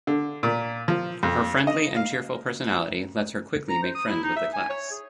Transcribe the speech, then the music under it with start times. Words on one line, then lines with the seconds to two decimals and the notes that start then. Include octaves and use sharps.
Her friendly and cheerful personality lets her quickly make friends with the class.
0.07 D3
0.43 A#2
0.88 F3
1.23 F2
1.67 D#5
1.96 F5
3.69 A#5
3.82 C5
3.95 D#6
4.07 E4
4.23 D#4
4.36 E5
4.54 G#5
4.69 C#5
4.91 G#4